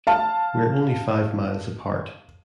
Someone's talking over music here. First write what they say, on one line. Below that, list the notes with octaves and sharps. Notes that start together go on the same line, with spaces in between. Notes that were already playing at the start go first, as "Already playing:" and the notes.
We're only five miles apart.
F5 A5